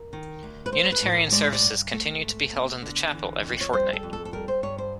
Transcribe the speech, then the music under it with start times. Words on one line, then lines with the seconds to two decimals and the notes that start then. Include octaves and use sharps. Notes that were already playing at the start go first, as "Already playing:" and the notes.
Unitarian services continue to be held in the chapel every fortnight.
Already playing: A#4
0.13 D#3
0.43 D2
0.66 B4
0.72 A3 C5
0.92 B4
1.02 A2
1.12 A#4
1.32 G#3 D5
1.53 D5
1.62 G2
1.93 A3
2.22 G#2
2.53 B3
2.82 D3
3.12 E3
3.43 F2
3.61 C#5
3.73 G3 C5
3.93 A4
4.03 F2
4.13 A4
4.25 A4
4.33 G3 A#4
4.48 C5
4.63 G2 C#5
4.78 C5